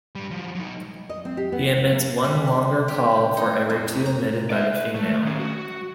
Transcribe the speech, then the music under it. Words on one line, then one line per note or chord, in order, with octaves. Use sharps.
He emits one longer call for every two emitted by the female.
G2 G3
F3 F#3
F#3 D#4
D#5
C4
G4
B3
C#5
C4
A#3
G3
G4
D#4
F2
A#5
D5 E5
B4
A3
D#3 C#4
F#4